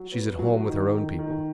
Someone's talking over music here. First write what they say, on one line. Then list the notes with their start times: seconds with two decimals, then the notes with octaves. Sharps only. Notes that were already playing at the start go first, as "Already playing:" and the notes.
"She is at home with her own people."
Already playing: F#3
0.12 B3
0.39 F#3
0.65 D#3
0.92 D#3
1.19 D#3